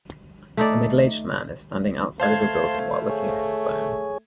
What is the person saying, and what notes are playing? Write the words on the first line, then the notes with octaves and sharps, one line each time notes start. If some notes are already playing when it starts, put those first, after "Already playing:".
A middleaged man is standing outside of a building while looking at his phone.
A3 D#4 D5
A3 C5 F5 A5 C6 G#6
G#4 C#5